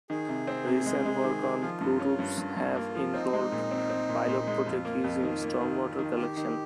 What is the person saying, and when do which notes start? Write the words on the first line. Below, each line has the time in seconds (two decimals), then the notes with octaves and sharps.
Recent work on blue roofs have involved pilot projects using stormwater collection.
0.10 D#3 G#4
0.29 C3
0.47 C4
0.67 C3
0.86 G#3
1.05 G#3
1.24 D#3
1.43 D#3
1.62 F3 F4
1.81 G2
2.00 C#4
2.19 G2
2.38 G2
2.57 G2
2.76 A#3
2.95 F3
3.14 C4 D#4
3.33 G#3
3.52 A#2
3.71 C4
3.90 C4
4.09 A#2
4.28 A#2
4.47 G#3
4.66 F2 F4
4.85 A#3
5.04 F2
5.23 D#3
5.42 A#3
5.61 D#3
5.80 D#3
5.99 D#3
6.18 D#3 G4
6.37 D#3